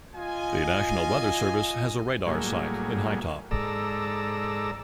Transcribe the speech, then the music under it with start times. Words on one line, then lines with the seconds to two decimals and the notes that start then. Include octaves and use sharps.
The National Weather Service has a radar site in Hytop.
0.15 F4 D#5 G#5
2.27 A2 F#3 G3 A#3 G#4
3.51 G#2 A4 D5 A#5 E6